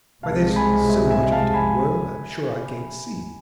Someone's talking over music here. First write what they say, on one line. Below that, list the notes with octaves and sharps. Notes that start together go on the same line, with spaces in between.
Why there's so much of it in the world, I'm sure I can't see.'
C2 C3 G#3 F5 A5
G#5 B5
E5 G#5
E5 G#5
F5 A5
G#5 B5